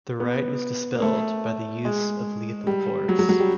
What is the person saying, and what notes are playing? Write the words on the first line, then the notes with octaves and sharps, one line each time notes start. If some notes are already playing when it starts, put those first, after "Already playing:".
The riot was dispelled by the use of lethal force.
B3
A#3
A3
G#3
G3
F#3
F#3
F#3
G3